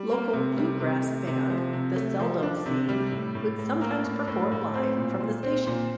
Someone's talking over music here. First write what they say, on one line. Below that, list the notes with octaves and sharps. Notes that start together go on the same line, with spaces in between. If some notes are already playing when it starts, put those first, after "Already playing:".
Local bluegrass band The Seldom Scene would sometimes perform live from the station.
Already playing: G3
A#3
C3
G3
C3
A3
C3
F3
C3
A3
F3
D4
C3
G3
A2
A2
A2
A#3
A2
A2
A2
C4
A#2
A#2
C4
A#2